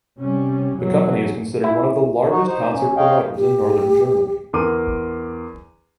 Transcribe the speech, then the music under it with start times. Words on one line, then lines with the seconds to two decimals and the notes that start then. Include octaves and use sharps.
The company is considered one of the largest concert promoters in northern Germany.
0.19 C3 G3 C#4
0.77 B2 E3 F#3
1.64 E4
2.29 D#4 F#4
2.47 D#4 C5
2.73 C#4
2.97 C#5 D#5 F5 G5
3.35 G4
4.53 E2 A#4 C6 D6 D#7